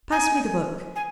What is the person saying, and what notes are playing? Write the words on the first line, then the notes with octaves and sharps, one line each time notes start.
Pass me the book.
G#5
G#5